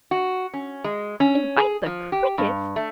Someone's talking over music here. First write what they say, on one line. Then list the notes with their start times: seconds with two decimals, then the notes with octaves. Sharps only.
Invite the Crickets?
0.11 F#4
0.54 C#4
0.84 G#3
1.20 C#4
1.57 G#4
1.86 F3
2.12 G4
2.38 G2
2.76 A3